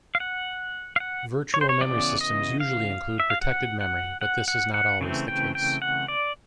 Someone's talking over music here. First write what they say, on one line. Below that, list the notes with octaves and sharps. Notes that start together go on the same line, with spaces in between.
Virtual memory systems usually include protected memory, but this is not always the case.
F5
F#5
F5
F#5
C#5
C5
C#5
C#3 E3 G3 B3 D5
D#5
F5
E5
F5
F#5
F#5
F#5
F#5
F#5
C#3 E3 A3 C4
G5
G5
F#5
D5